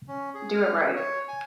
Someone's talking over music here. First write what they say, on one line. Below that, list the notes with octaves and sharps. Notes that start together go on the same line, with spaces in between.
Do it right.
C#4
G#4
F6
G#4
C#5
G#5